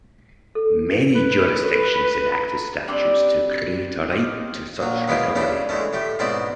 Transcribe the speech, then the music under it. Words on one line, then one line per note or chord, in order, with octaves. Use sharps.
Many jurisdictions enacted statutes to create a right to such recovery.
A4
B4
G4 A4 C#5
A#5 B5
G3 C4 D4 G4 C5 D5
D#4 F4 G4
A#1 F#3 F#4
F#2 B2 G#3 E4 F5 G5
C#3 C#4 D4 E4 G4
D3 E3 G#3 A3 C#4
A2 A3 G4
G#2 B2 C4 C#4 E4 D5